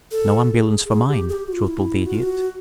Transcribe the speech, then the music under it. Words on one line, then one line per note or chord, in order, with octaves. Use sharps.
"No ambulance for mine," chortled the Idiot.
A4
A4
G#4
G#4
G4
G#4
G4
F#4
F4
E4
F#4
F4
F#4